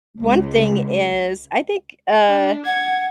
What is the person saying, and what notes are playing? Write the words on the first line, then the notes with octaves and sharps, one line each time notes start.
one thing is I think, uh,
C#2
D4
F#5 G#6